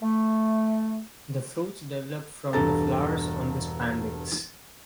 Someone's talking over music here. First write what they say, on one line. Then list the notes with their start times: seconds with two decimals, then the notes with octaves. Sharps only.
The fruits develop from the flowers on the spadix.
0.03 A3
2.53 E1 G2 A4 A#5 A6